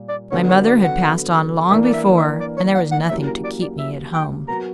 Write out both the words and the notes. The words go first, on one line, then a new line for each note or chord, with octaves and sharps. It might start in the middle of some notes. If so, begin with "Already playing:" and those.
My mother had passed on long before, and there was nothing to keep me at home.
Already playing: A#2 G3
D5
D3 F#3 B3 C#5
C#5
D5
F#5
E3 A#3 D4 A#4 E5
D5
E5
E5
D5
C#5
F#5
F#5
F#3 A#3 C#4 E4 G4 E5
A#4
D5
D5
E5
G5
F#3 B3 F#4 A#4 A#5